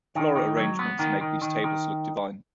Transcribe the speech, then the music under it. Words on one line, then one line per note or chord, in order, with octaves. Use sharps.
Floral arrangements make these tables look divine.
D#3
D#3
F#3
B3
D#3
D#3
D#3
D#3